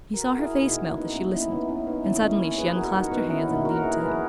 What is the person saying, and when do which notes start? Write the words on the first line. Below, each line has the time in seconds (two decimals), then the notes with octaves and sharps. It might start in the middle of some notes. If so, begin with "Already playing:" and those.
He saw her face melt as she listened, and suddenly she unclasped her hands and leaned to him.
0.14 F#4 A#4
0.38 E4 G#4
0.62 B2 A#3 D#4 F#4
0.80 C#4 E4
0.97 B3 D#4
1.15 A#3 C#4
1.33 C#4 E4
1.51 B3 D#4
1.69 C#4 E4
1.87 B3 D#4
2.04 D#3 A#3 C#4 E4
2.22 C#4 E4
2.58 G#4 B4
2.76 F#4 A#4
2.94 D#4 F#4
3.11 B3 D#4
3.29 C#4 E4
3.47 B2 A#3 D#4 F#4
3.65 F#4 A#4
3.83 E4 G#4
4.01 G#4 B4